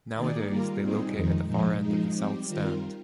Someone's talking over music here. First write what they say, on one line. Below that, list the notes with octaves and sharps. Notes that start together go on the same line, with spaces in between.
Nowadays they locate at the far end of the South stand.
D#3 A#3 D#4 G#4 D5
G3 A#3 F4 A#4
A#2 G3 C4 D#4 G#4
F2 D#3 G#3 D#4
A#2 F3 G#3 D#4
F3 G#3 D#4
G3 C4 G4
D#3 G3 C4 F4 A#4